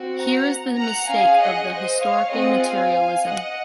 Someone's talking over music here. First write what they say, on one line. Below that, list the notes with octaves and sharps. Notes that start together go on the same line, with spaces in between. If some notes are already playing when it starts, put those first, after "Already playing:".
Here is the mistake of the historical materialism.
Already playing: C4 F#4
F#5 A#5
F#5 A#5
C#4 G#4 F5 G#5
D#5 F#5
C5 D#5
C#5 F5
C4 F4 G#4 D#5 F#5
F5 G#5
D#5 F#5